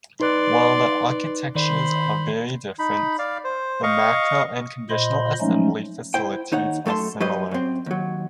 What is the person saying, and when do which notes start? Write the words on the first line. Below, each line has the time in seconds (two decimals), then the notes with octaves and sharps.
While the architectures are very different, the macro and conditional assembly facilities are similar.
0.20 D#4 B4 D5 C6 F#6
1.55 D#3 C5 D5 B5
2.79 D#4 B5
3.19 D5 F5
3.44 C5
3.83 D#5 F5 C#6
4.90 A#2 C5 D#5 B5 C6
5.41 F3 F#3 G#3 A3 C#4 D#4
6.14 E4 C5 G5
6.52 D#2 D#4 C#5 F#5
6.86 F#2 A3 E4 A5 C6
7.20 F#3 G3 B4 C5 D#5
7.51 F#2 C4
7.86 D#2 F#3